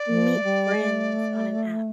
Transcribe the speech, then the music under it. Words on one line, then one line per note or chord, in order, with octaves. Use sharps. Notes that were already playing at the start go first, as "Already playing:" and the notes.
meet friends on an app,
Already playing: D5
F3
A3
G3
A3